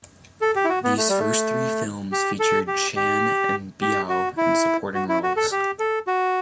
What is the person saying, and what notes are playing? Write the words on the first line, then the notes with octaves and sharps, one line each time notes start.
These first three films featured Chan and Biao in supporting roles.
A4
G4
E4
F#4
B3
A3
G3
A3
G4
A4
G4
G4
G4
F#4
E4
F#4
E4
F#4
A4
G4
A4
F#4